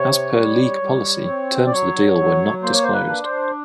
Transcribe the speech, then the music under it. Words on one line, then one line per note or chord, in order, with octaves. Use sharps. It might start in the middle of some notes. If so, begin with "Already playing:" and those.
As per league policy, terms of the deal were not disclosed.
Already playing: C3 C#5
G3
G3
C4
D5
F#3 C#5
F#3
A#3 C5
C#5
C5
B4
D4
C5